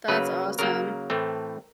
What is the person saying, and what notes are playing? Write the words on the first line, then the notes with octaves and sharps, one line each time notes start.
That's awesome.
C#3 F#3 A#3 B4
C#3 F#3 A#3 A#4
A2 E3 A3 C4